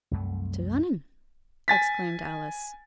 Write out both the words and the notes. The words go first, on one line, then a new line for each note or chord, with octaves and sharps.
'To Lunnon!' exclaimed Alice.
C2 F#2 A3
G#5 A6 B6